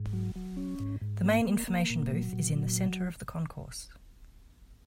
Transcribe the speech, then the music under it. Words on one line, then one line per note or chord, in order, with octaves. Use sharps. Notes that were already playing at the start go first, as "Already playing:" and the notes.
The main information booth is in the center of the concourse.
Already playing: G#2
F#3
F#3
C#4
G#2
G#2
A#3
A#3
A#3
A#2
F#3
A#2
F#3